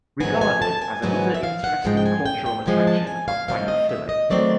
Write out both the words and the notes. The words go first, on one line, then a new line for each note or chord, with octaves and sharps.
Regarded as another interesting cultural attraction of Bang Phli.
G#2 D#3 F#3 B3 G#5
G#5
A5
G#5
G#2 D#3 F#3 B3 G#5
E5
F5
F#5
G#2 F3 G#3 G5
G5
G#5
G5
G5
G#2 F3 G#3 G#5
A5
G#5
F5
D#3 F#3 A3 C4 F5
D#5
E5
D#5
D#3 F#3 A3 C4 D5